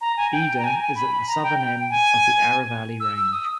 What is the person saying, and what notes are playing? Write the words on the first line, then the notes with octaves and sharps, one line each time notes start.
Idar is at the southern end of the Aravalli Range.
A#5
G#5
G5
A#5
G#5
G#5
B5
A#5
G5
G5
G#5
E6
E6
D#6